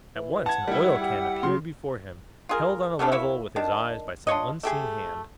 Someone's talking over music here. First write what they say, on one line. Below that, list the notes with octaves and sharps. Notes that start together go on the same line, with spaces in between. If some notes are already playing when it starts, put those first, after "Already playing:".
At once an oil-can appeared before him, held on a level with his eyes by some unseen hand.
E3
F#5 A5 G#6
D#3 G3 E4
G4
C#3 C6
F4 G#4 A#4
A3 B3 C#4 D4
A#3 E4 C#5 E5
D#3 D4 A5
D4 F4 C#5 D#5
A3 G4 G#4